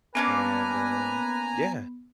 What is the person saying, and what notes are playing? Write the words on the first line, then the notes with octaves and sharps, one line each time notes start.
and, uh, yeah,
A#3 B3 C#4 D4 B4 G#5 A#5